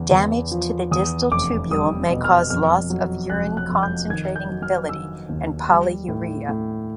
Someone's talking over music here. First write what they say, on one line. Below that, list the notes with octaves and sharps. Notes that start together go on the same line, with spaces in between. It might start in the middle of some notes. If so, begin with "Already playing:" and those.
Damage to the distal tubule may cause loss of urine-concentrating ability and polyuria.
Already playing: E2 C#3
E2
F3
E2 D#6
F1 D6
G3 D#6
B2
F6
F2 F6
F#3
F1 F#6
F#6
F2
G6
D#3 G#6
G6
F#3
F6
D#3 E6
D#2
G3
A2
A2